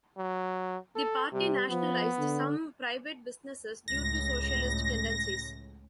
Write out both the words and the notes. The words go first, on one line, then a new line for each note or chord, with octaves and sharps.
The party nationalized some private businesses due to socialist tendencies.
F#3
A4
C3 G3
F3 B3
D3
C#2 A2 A#6